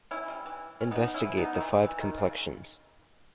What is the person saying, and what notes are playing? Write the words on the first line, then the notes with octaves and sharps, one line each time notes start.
Investigate the five complexions.
C#4 E4
G3
E3
C#4
B3 D#4
C#4 E4
B3 D#4
D#3
E3
E3
D#3
C#3